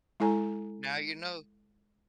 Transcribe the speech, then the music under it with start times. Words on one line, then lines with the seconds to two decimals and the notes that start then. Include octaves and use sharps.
Now you know.
0.20 G#3 E4 A4 G#5 A#5